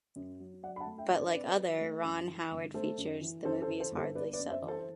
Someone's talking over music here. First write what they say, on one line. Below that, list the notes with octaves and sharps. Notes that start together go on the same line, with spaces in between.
But like other Ron Howard features, the movie is hardly subtle.
F#2
F#3
F#3 D5 F#5
B5
F#5 A5
A3
E5 G5
G2
B4 D5
C4 B4 D5
F#3
A3
F#2
E3
G1
A3 A4 C5
F#2
E3
F#2 A4 C5
A4 C5
E3
A4 C5
G1
A4 C5
B3 B4 D5
B4 D5
F#2
C5 E5
E3
A4 C5
C5